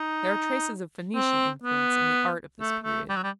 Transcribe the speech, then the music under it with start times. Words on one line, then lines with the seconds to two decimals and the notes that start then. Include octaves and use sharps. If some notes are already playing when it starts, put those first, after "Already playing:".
There are traces of Phoenician influence in the art of this period.
Already playing: D#4
1.15 C4
1.63 B3
2.60 A3
2.84 A3
3.09 G3
3.16 F#3
3.23 G3